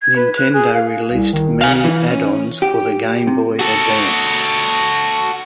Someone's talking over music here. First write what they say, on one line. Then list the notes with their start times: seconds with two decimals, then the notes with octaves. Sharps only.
Nintendo released many addons for the Game Boy Advance.
0.01 G#6
0.15 B4
0.36 F#6
0.53 G#4
0.73 F5
1.12 C2
1.33 D#3
1.61 F5 G#5
1.84 E3
2.11 C#4
2.62 G4
3.27 C3
3.59 F#4 A4